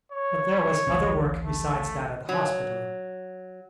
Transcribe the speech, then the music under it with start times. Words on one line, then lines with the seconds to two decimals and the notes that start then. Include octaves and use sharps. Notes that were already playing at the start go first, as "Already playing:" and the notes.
But there was other work besides that at the hospital.
0.12 C#5
0.87 D1 A1 C#3
1.45 A3
2.29 F#3